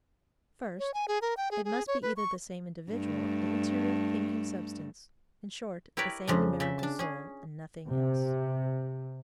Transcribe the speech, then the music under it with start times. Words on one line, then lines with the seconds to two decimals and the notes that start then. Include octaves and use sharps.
First, it must be either the same individual, immaterial, thinking substance; in short, the same numerical soul, and nothing else.
0.79 C#5
0.94 G#5
1.08 G#4
1.22 A#4
1.37 G5
1.51 G#4
1.65 G#4
1.87 C#5
2.02 B4
2.16 C#6
2.91 G2 A3
5.97 E4 G4 A#4 B4 C#5 D5
6.27 F2 C#3 D4
6.60 C#3 E5
6.79 D4 A5
6.99 C#4 G#4
7.88 C3